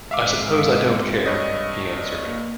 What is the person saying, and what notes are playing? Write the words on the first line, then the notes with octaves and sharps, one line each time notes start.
"I suppose I don't care," he answered.
G#2 C4 E5 F5 D6
G2 C#5 D#5
A#3